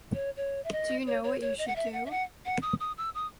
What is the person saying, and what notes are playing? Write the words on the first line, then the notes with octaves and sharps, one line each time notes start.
Do you know what you should do.
C#5
C#5
E5
D#5
C#5
C#5
C#5
D#5
F#5
E5
F#5
E5
F#5
F#5
D#6
D#6
E6
D#6